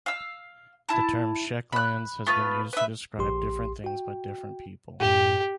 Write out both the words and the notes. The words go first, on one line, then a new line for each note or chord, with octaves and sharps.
The term Czech lands has been used to describe different things by different people.
F5 E6
E4 A5
B5 F#6
A3 B3 F4 B4
B4 E5
A#1 G4 C6
F#4 G5
F#2 A2 G4